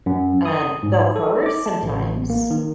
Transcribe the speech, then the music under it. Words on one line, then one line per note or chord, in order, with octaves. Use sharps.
Um, they'll purr sometimes
F#2
D#6
G#2
A4
D6
A5
A1
A#3
D#3